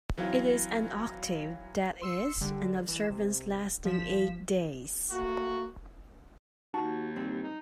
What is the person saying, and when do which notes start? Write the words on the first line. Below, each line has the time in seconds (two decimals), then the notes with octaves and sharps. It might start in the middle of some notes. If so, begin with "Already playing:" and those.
It is an octave, that is, an observance lasting eight days.
0.18 E3 F#3 C4 F4
2.02 C6 E6 C#7
2.41 D3 G3
2.88 E3 E7
3.10 C3
3.84 G1 F3 B6 E7
5.11 A3 A#3 F#4
6.74 D#2 D#4 F#4
7.16 G2 C4
7.43 D#4